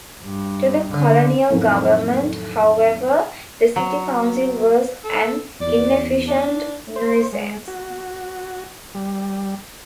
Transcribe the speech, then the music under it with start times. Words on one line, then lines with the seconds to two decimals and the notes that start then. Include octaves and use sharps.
To the colonial government, however, the city council was an inefficient nuisance.
0.23 G2
0.91 D3
1.50 F2 A2 D#3 E3 F#3
3.76 F#3
5.04 A4
5.61 E2 D5
6.28 D4
6.96 C5
7.33 G#3
7.68 F#4
8.95 G3